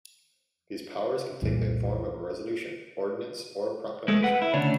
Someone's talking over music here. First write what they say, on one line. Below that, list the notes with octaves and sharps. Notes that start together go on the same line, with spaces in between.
These powers can take the form of a resolution, ordinance or proclamation.
C2 F2 A#2 E3
G#3 A3
B4 F#5
E4
D2 C#3 D4 C#5